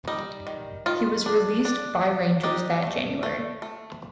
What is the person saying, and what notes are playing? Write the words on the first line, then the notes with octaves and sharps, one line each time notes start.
He was released by Rangers that January.
G3 D#4
D#3
D#3 F4
D4
D4
D4
D4 D#4 G4
A3
A3
A3